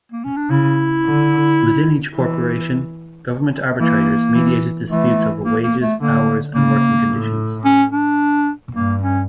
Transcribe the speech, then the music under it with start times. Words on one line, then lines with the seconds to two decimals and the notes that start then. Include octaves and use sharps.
Within each corporation, government arbitrators mediated disputes over wages, hours, and working conditions.
0.12 A#3
0.25 C#4
0.37 D4
0.50 C#3 E4
1.04 D3
2.15 E3
3.79 E3 A#3
4.35 E3
4.90 E3 A3
5.45 A#3
5.63 A#3
5.82 A3
6.00 D3 A#3
6.55 C#3 A#3
7.10 A2
7.65 C#4
7.92 D4
8.74 G2 A#3
9.02 C#4